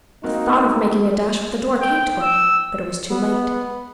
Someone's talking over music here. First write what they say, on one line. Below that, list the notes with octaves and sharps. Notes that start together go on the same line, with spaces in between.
The thought of making a dash for the door came to her, but it was too late.
A#3 C4 D#4 F#4
G5
E6
B3